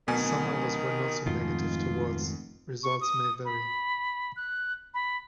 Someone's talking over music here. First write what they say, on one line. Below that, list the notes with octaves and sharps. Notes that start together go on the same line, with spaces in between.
Some others were not so negative towards "Results May Vary".
D1 B2 D#3 B3 G#5
F1 F2 G#2 D#3 F4
C#6
D#6
B5
F#6
B5